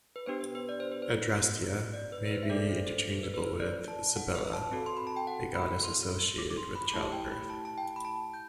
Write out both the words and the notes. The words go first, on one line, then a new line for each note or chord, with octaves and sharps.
Adrastea may be interchangeable with Cybele a goddess associated with childbirth.
B4
B3 D4 G4 C5
B4
B4
D5
C5
B4
C5
D5
B4
B4
C5
E5
A3 D4 A4 D5
C5
C5
B4
B4
C5
D5
A5
F#5
B4
A5
C4 F#4 A4
C6
B5
A5
G5
F#5
B5
C6
D6
D6
C6
B5
A3 E4 G4 A5
G5
B5
A5
A5
G5
B5
A5
G6